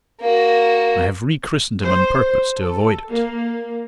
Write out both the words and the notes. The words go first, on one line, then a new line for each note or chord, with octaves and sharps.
I have re-christened him on purpose to avoid it.
A#3 F#4
C5
A4
A#3